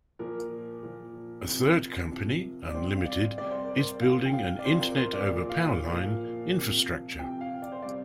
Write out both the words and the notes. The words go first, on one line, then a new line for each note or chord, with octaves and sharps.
A third company Unlimited is building an internet-over-powerline infrastructure.
A#2 F3 A#4
A#2 F3
C3 F3
C3 F3
D5
C3 G3 C5
F5
D5
C3 G3 D5
C5
A#4
C5
C3 F3 F5
G5
F5
D5
C3 F3 C5
A#4
C5
D5
A#2 F3
F5
A#2 F3 F5
C3 F3
C3 F3 G5
F5
D5
C5
C3 G3 D5